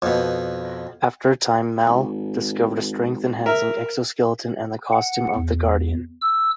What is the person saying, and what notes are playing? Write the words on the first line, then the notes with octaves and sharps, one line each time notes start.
After a time, Mal discovers a strength-enhancing exoskeleton and the costume of the Guardian.
F2 B2
G#1
A#4 E5
F#5
E2
E6